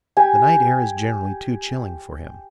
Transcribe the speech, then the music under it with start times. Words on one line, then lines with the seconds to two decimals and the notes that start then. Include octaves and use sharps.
The night air is generally too chilling for him.
0.17 G4 G#5